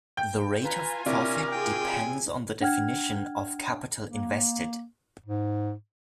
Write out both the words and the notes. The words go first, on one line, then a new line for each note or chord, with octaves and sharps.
The rate of profit depends on the definition of "capital invested".
G5 G6
F4 B4 G#5 A#5
C3 C#4 D4 E4 A#4 D6
F4 G#4 G5 G#5
D4 F#5 G5 F6 G#6
A#3
G#2